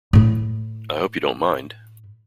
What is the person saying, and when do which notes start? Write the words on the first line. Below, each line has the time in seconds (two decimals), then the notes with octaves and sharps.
I hope you don't mind.
0.13 A2 E4